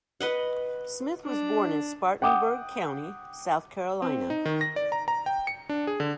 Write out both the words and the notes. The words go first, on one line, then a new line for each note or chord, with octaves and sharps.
Smith was born in Spartanburg County, South Carolina.
B4 D#5 F#5
D4
F#5 G5 D6 D#6
C4
D#4
D#3
A#6
D5
A#5
A#5
G5
C#7
D4
G#4
D3